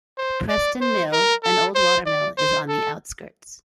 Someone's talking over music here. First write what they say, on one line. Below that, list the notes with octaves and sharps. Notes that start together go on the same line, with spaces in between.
Preston Mill, an old watermill, is on the outskirts.
C5
D5
C5
A#4
A4
C5
D5
C5
A4